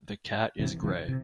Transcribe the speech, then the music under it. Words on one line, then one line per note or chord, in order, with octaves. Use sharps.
The cat is grey.
C3 E3
C3 E3
C3